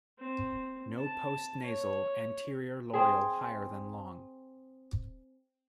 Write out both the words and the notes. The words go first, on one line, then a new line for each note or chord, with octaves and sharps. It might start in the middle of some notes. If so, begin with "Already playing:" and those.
No postnasal, anterior loreal higher than long.
C4
A5
C#5
C4 G#4